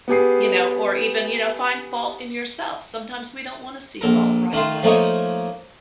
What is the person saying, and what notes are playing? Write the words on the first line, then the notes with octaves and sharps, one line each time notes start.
you know, or even, you know, find fault in yourself. Sometimes we don't wanna see fault right away,
B3 G4 G#4 C7
A#1 A4 A#4
D#3 A3 F4
F3 A3 A#3 D#4 C#5